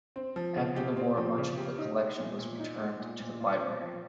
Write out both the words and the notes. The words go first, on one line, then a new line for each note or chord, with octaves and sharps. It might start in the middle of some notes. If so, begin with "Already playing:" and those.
After the war much of the collection was returned to the library.
C4
F3
C#3
G4
C4
F3
C#3
G4
D#4
G#3
A#2
A#2
D#4
G#3
A#2
A#2
F4
C4
F3